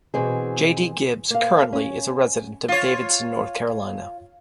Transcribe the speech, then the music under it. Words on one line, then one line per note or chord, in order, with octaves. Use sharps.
J. D. Gibbs currently is a resident of Davidson, North Carolina.
B2 E3 C4 G#4
A#3 F5
C#4
F4 C#5